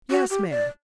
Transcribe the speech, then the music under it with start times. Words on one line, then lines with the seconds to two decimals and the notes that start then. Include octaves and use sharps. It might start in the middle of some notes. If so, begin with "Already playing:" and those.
"Yes, ma'am."
0.11 F#4
0.30 G4
0.51 D5